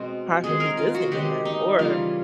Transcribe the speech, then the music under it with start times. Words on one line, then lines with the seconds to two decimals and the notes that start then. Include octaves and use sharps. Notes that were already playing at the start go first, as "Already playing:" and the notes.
possibly Disneyland or
Already playing: B2 G#3 C4
0.44 D#3 G#3 C4 G#4
0.60 A#4
0.77 F4
0.95 F#4
1.11 D#3 G#3 C4 G4
1.45 D#4
1.79 C#3 E3 G3 A#3 F4